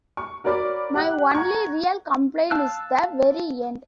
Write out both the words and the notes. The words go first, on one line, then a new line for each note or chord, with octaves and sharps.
My only real complaint is the very end.
C#6
F#4 A#4 C#5 D5 B5 D6
G4 F#5 F#6
F#5 A#5 C#6 G#6
F5 A5 E6 F#6